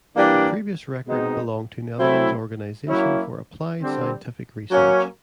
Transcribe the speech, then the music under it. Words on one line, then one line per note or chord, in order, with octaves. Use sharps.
The previous record belonged to Netherlands Organisation for Applied Scientific Research.
E3 G3 A#3 D4
B2 G#3 C4 D#4
F#3 A3 C4 E4
F#3 A#3 C#4 E4
D3 G3 C4
F#3 A#3 C#4